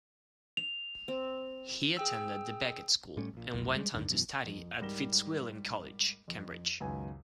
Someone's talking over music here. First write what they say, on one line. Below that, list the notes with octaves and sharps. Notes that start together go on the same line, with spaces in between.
He attended The Becket School and went on to study at Fitzwilliam College, Cambridge.
F7
C4
G#4 G5 E6
A2 G3 A3 C#4
A#1 A#2
F1 B1 A2
G3 G#3
D2 G2 D3 D#3
F#2 B2 E3
F2
G#2 G3 A#4 A#6 E7 G7
F2
C#2 F#2 D#3 B4 G#5